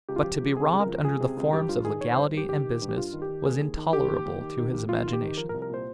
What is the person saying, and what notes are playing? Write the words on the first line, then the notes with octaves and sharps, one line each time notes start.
But to be robbed under the forms of legality and business was intolerable to his imagination.
C#2 G4
F4
F3 G4
C#2
C3 G#4
C#2
A#4
F3
C#2 G#4
C3
C#2
G2 G4
G2 F4
D#3 G#4
D#3 C#5
G2 C5
G2 G4
D#3 G4
D#3
G2
G4
G2 F4
D#3
G4
D#3
D#2 G#4
D#2
D#3
D#3 G4
D#2
D#2
D#3
D#3
D#2
D#2 F4
D#3
G4
D#3
F3 A#4
A#4
C2
A#4
A#2 C5